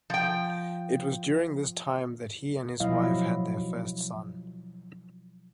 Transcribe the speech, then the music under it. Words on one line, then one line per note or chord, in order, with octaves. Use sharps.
It was during this time that he and his wife had their first son.
F3 G5
B2 F3 F#3 E4 D#5 F5